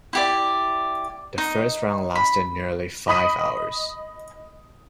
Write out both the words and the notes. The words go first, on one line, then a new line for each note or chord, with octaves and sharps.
The first round lasted nearly five hours.
E4 G4 D5
D#4
B5
D#5 B5 D#6 B6 D#7